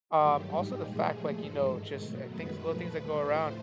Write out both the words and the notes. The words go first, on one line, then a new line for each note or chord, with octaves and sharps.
Um, also the fact, like, you know, just, eh, things little things that go around,
G2 D#3 F#3 A3 G4
G#2 D#3 G3
A#2 F3 G#3 G#4
A#2 F3 A3
G2 E3 G#3 A4
G#2 D#3 G#3
B2 F#3 A3
F#2 D#3 G#3 B4
A#2 F3 A3
D#2 D3 G3
A2 F3 A3 C5